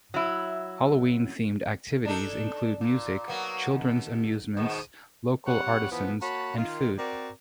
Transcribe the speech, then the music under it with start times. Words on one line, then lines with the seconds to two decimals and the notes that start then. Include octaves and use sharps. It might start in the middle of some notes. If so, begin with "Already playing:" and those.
Halloween-themed activities include music, children's amusements, local artisans, and food.
0.14 F#3 E4
2.05 D4 D#4 A4
2.81 A#2
3.28 F#3 A#3 B3
3.71 D#2
4.57 G#2 B2 D#3
5.45 C3 G3 C#5 F#5
5.91 E3 F3 B3
6.21 A#3 F#4 C#5 A5 B5
6.57 D#3 F4
6.97 C4 F#4 A#4 D5